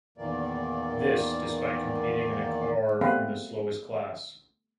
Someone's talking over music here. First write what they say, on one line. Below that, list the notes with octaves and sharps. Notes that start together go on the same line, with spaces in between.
This, despite competing in a car from the slowest class.
E2 A#2 D#3 E3 A#3 D5
G3 A3 B3 C4 B4 F5